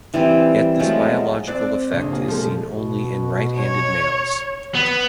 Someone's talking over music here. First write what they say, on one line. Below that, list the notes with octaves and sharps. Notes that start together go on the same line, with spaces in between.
Yet this biological effect is seen only in right-handed males.
E3 G3 C4
F3 F#3 G#3 A3
C4 D5 F#6
A#1 C#3
G3 A#3 G#4
B2 F3 G#3
B2
C#5
B3